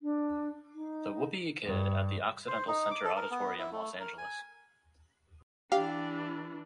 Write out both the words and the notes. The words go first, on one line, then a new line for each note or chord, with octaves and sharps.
"The Whoopee Kid," at the Occidental Center Auditorium, Los Angeles.
D4
D#4
G2
C5
D#4
D6
A4
A#4
B3
E4
A3
A#4
G#5
E3 D4 G4 F5